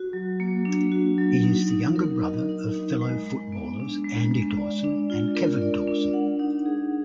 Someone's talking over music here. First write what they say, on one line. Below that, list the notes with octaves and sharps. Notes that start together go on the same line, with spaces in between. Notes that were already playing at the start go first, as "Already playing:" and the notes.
He is the younger brother of fellow footballers Andy Dawson and Kevin Dawson.
Already playing: F#4
F#3
A#3
D4
F#4
F#3
D#4
D#4
A#4
D#5
D#4
D#4
G#3
G#3
B3
D4
G#3
G#3
D5
D4
F4
A#4
D5
D4
F#5
D#4
G#4